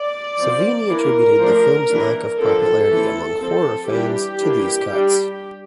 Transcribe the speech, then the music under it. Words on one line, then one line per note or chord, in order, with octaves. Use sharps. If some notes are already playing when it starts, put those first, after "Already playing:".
Savini attributed the film's lack of popularity among horror fans to these cuts.
Already playing: D5
F3 C4
E3 A#3 D4 A#4
F3 A3 D4
E3 A#3 D4
D3 F3 C4 A4
E3 A3 C4
F3 C4 A4
E3 G3 D4 G4
E3 A#3 D4
G3 D4